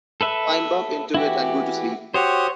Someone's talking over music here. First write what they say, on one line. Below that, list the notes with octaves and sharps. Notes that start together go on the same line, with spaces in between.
Climb up into it and go to sleep.
A4 B4 E5
E3 E4 F#4 G4
F#4 G4 C5 C#5 D#6